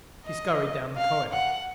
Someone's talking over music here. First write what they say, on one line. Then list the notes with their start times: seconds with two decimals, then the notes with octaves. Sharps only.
She scurried down the corridor.
0.26 D#5
0.97 F5
1.32 F#5